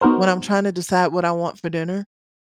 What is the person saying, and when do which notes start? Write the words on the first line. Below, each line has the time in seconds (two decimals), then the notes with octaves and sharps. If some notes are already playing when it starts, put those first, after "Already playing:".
when I'm trying to decide what I want for dinner.
0.01 B3 D#4 F#4 A#4 C5